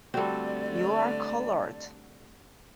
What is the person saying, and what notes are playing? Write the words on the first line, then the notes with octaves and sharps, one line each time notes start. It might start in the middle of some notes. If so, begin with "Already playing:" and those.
You are colored!
D3 G3 A3 C4 F#4 A4 D5